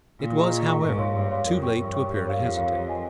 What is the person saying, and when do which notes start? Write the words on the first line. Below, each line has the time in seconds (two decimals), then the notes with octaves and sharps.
It was, however, too late to appear to hesitate.
0.20 A#2 F4
0.36 G#4 D#5 A#5 C#6
0.51 F4
0.67 G#4 D#5 A#5 C#6
0.83 G#2 A#4
0.98 C#5 F5 C6
1.14 G2 A#4
1.31 C#5 F5 C6
1.46 F2 A#4
1.63 C#5 G5 C#6
1.77 G2 A#4
1.94 C#5 G5 C#6
2.09 G4
2.25 A#4 C#5 F5
2.40 F2 G4
2.57 A#4 C#5 F5
2.72 C5
2.88 D#5 G#5